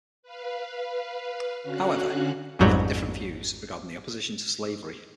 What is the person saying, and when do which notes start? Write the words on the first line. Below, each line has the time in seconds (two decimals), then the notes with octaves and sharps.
However, they held different views regarding the opposition to slavery.
0.23 B4 F5
1.61 D3 C#4 F#4 F5 F#6
2.59 A1 F2 G#2 F#3 G3